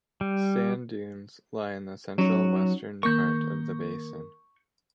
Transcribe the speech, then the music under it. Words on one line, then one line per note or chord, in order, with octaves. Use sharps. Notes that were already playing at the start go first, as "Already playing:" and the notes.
Sand dunes lie in the central western part of the basin.
G3
F#3 C#4 D#4
D#3 A#3 A#4 C#6 G6